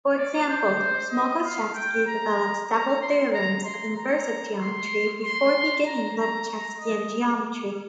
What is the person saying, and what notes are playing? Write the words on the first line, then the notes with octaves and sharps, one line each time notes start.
For example, Smogorzhevsky develops several theorems of inversive geometry before beginning Lobachevskian geometry.
D5
C5
D#5
F5
G5
A#5
A#5
C6
A#5
C6
A#5
C6
C6
A#5
A#5
D#5